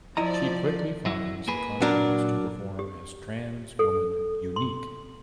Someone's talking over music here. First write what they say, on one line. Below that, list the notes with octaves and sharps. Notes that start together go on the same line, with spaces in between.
She quickly finds the confidence to perform as trans woman Unique.
F3 E4 D5 D#5 A#5
F#3 E4
A#3 G#4 B4
A#2 F#3 D4 A#4
G4
A4
C6